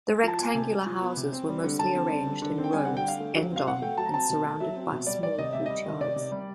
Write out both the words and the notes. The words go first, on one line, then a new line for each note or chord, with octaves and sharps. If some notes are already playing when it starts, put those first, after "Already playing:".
The rectangular houses were mostly arranged in rows end-on and surrounded by small courtyards.
G#3
F3 A5
B3 G#5
C3
G#3
F3
B3
C3
C4
G3
D3
D3 A5
C4
G3
D3
D3
C4
G5
G3 G#5
F#5
D3
G5
D3 F5
A3
F#3
C4 F5
B2 F#5
A3 G5
F#3 A5
A#5
C4 A5
B2
A3
F#3 E5
C4
B2
G3 D5
D#3 D5
C3 D#5
C3 E5
G3 D#5
D#3
C3 D5
C3
G3